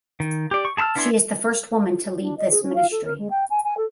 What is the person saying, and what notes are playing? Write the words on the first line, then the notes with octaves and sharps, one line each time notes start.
She is the first woman to lead this ministry.
D#3
G4 D5
C#6
G#4 A5 B5 E6 F6
B3 D4 E4 G#5 C6
D4
D#5
G#4
C#4
F5
A4
A#4
G#3
G5
G#5
G#5
A4